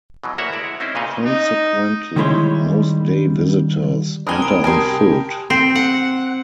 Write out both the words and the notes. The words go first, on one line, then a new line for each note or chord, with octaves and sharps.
Consequently, most day visitors enter on foot.
B2 E3 F#3
D2 A#3 F#4 C#5 E5 F#5
G#3 E4 D5
C4 C#4 D#4 E4 C5
A#2 C#3 B4 C#5 D#5 F5
D#4
D#3 G3 G#3 E4 C#5 C6
B3 C4 D4 A#4 G#5 B5 D#6 G7
C2 A#5 D7
G4 A#4 G#5 A5 C6 D#6
C4
F#5